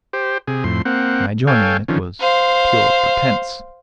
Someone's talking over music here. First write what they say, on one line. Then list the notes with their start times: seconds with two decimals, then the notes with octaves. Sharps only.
My joining in it was pure pretence.
0.13 G4 C5
0.47 C3 G#4
0.64 F2 A2 C6
0.85 A#3 C4 F#5
1.47 A4 C#5 F5 G5 G#5
1.88 D3 D#3 F3 C#4
2.20 C5 F5